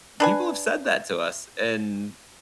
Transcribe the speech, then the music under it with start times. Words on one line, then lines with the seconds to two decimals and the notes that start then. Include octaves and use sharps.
People have said that to us, and
0.20 D4 B4 G#5